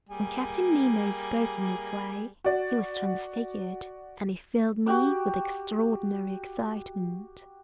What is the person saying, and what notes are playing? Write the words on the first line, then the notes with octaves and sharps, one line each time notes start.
When Captain Nemo spoke in this way, he was transfigured, and he filled me with extraordinary excitement.
G3 A#3 G#4
F#4 D5
F#4 G4 F#5 D6